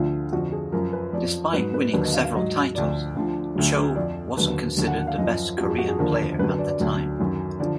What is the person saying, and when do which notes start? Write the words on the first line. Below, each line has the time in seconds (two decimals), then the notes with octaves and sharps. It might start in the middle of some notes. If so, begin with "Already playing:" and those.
Despite winning several titles, Cho wasn't considered the best Korean player at the time.
Already playing: D2 D3 F3 F4
0.32 F2 D3 F3 F#4
0.52 G#4
0.72 F#2 F3 A#4
0.93 B4
1.13 F2 F3 D5
1.53 G#2 F#3 B4
1.74 B4
1.93 D#2 D3 F#3 B4
2.05 D#5
2.14 F5
2.24 F5
2.34 G#2 F#3 D#5
2.75 D2 D3 F3 D5
3.15 D2 D3 F3
3.55 D2 D3 F#3
3.96 F2 F3 D5
4.37 D#2 D3 F#3 B4
4.77 D#2 D3 F#3
4.87 F#5
4.98 F#5
5.07 F5
5.18 F#2 F3 D#5
5.58 F2 F3 F#4
5.68 G#4
5.78 F#4
5.88 G#4
5.98 D#2 D3 F3 A#4
6.38 F#2 D3 F#3 B4
6.49 B4
6.58 D5
6.69 D5
6.80 D2 D3 F#3
7.20 F#2 D#3 F#3
7.59 D3 F3 D5